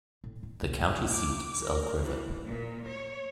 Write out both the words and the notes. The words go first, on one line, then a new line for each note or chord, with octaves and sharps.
The county seat is Elk River.
A2
D#3
B1
D6
A#4
E3
A#2
C#5